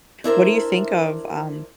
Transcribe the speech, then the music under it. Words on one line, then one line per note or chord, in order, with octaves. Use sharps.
What do you think of, um
D4 E4 A#4 C5